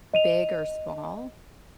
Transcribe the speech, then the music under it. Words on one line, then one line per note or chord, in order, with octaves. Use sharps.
big or small?
D#5 D#7 F7